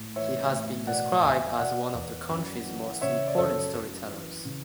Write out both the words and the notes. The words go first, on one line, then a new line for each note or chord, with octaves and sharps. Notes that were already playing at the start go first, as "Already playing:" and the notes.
He has been described as "one of the country’s most important storytellers".
Already playing: A2
E3 C#5 E5
A2
B2 D5 F#5
E2 E5 G#5
B2 D5 F#5
E2
F#2
E3
C#3 C#5 E5
D5
F#2 A4 C#5
F#2
E3
C#3